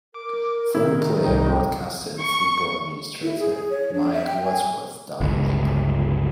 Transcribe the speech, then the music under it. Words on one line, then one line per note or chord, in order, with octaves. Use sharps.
Former player, broadcaster and football administrator, Mike Wadsworth died in April.
A#4 D6
D#3 E4
C2 D#3 D#4 G5
C#6
E4
G#4
C#5
D4
E5
G5
G#5
G1 C#2